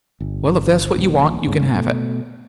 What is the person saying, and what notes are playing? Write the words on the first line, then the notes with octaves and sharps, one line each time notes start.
Well, if that's what you want, you can have it.
G1
D#1 A#1
G1 D#2 G#2 C#3
B2 A3